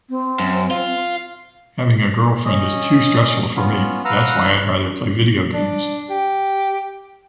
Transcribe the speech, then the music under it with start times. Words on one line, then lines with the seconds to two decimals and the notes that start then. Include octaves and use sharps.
Having a girlfriend is too stressful for me, that’s why I’d rather play video games.
0.10 C4
0.40 F#2
0.71 F4
2.45 C#4 D#5
3.56 B3 C#4 F4
4.05 B4 F5 F#5 A#5 E6
5.53 D4
6.10 G4